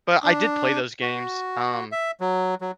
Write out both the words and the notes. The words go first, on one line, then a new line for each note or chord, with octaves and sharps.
but I did play those games, um,
D4
F#4
E5
F#3
F#3